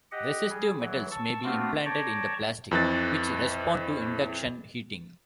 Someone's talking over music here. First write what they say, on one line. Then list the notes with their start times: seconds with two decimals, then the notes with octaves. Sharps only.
Resistive metals may be implanted in the plastic, which respond to induction heating.
0.12 G4 D#5 F#5
0.49 G3 G#4
0.79 E3 F#3
1.11 A5 C#6 E6
1.44 A3 B3 C4 D4 F4 F#4
1.86 C#5 D5 G5 A5 A#5 C#6
2.71 F2 E3 F#6 A6